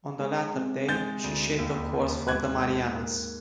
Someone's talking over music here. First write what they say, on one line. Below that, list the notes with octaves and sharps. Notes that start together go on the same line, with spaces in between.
On the latter day, she shaped a course for the Marianas.
G#3
C3
G#3 G6 A6
D2
D#2
D#2
G#2 F#6 G#6
G#2
A#3